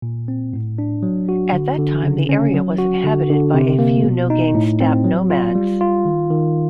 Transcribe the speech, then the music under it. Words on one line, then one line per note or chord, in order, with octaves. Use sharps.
At that time the area was inhabited by a few Nogain steppe nomads.
A#2
C4
A2
D4
F#3
F#4
D3
D3
C#3
C#4
F#3
F#4
D3
D3
C3
A#3
B2
D#4
A2
C4
F#3
F4
G3
F4
D#3
D#3